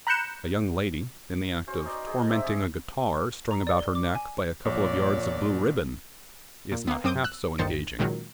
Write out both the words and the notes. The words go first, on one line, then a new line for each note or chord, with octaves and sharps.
A young lady, in the act of tormenting a guitar strung about her neck by a couple of yards of blue ribbon, is not half so engaging.
A#5 B5 F#6 G6 C#7 E7
C#4 F#4 C5
D#4 D5
G#4 D#5 A5
C4 G4 E5 A#5
G#4
A#5
D5
G7
D6
G#5
A#1 A#2 F4 C#5 D5
A#2
A#3 B3
F#2 C4 D6 D#6 G6
E6 F#6
G1 D#3 C5 A6 C#7
C#2 A#2 D#3 F#3